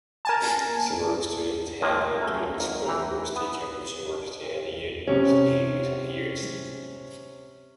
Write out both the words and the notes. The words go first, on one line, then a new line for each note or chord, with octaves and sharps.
Several students have entered Oxford University, Cambridge University and Yale University in recent years.
A#4 G#5 A5
C3 D#3 F3 G#3 A#3 C4
E4
F#2 A3 A#4 G#5
G#1 A#4
D2 E3 G5 A#5
B3
C3 C#4